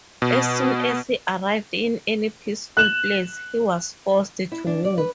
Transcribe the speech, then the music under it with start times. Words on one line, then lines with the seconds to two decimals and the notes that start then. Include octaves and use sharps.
As soon as he arrived in any peaceful place, he was forced to move.
0.22 B2
2.77 F#6 E7 F#7
4.52 E4
4.67 D4
4.85 D5
4.98 B4